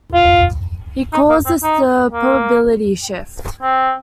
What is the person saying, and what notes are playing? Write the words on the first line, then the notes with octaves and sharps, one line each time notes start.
He calls this the "probability shift".
F4
D#4
A#3
C4
D#4
A#3
C4